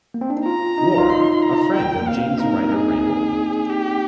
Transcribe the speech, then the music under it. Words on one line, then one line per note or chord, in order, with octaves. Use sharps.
Ward, a friend of James Ryder Randall.
A#3
C4
D4
D#4
F4 A#5
D#4
F4
D#4 C6
A#5
G5
A#3
F5
C4
D4
D#4 A#4
D#4 G#4
G4